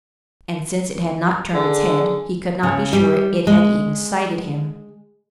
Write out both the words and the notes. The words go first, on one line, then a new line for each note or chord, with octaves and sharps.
And, since it had not turned its head, he could not be sure it had even sighted him.
D3 G#4
C#3
G3
G#3